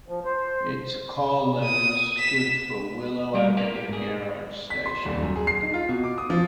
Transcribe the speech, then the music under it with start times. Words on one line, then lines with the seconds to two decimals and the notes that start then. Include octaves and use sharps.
Its call letters stood for Willow Avenue Garage Station.
0.08 F3
0.25 C5
1.64 D#6
2.18 B6 E7
3.34 G3 A3 G4 A#4
3.57 A#4 B4 F5
3.75 G4
3.88 G#2 G#4
4.70 B6
4.86 C6
5.05 D#1
5.22 F#2
5.36 G#4
5.47 C7
5.63 D#4
5.74 F4
5.89 B2
6.04 D6
6.18 D#6
6.30 F3